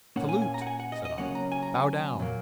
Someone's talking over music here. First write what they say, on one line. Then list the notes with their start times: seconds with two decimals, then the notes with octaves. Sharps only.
"Salute!" said I. "Bow down!"
0.16 A#2 A#3 C#4 F#5
0.29 G#5
0.42 G#5
0.54 A#5
0.62 F#5
0.67 G#5
0.80 F#5
0.92 D#5
1.05 D#5
1.17 C#3 F#3 A#3 C#4 F#5
1.35 A#5
1.52 G#5
1.63 A#5
1.75 G#5
2.19 A#2 F#3 A#3